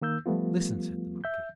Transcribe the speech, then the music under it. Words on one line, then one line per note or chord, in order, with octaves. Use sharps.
"Listen," said the monkey.
D#3 A#3 E6 G6
F3 G3 A3 B3 F4
E5 G6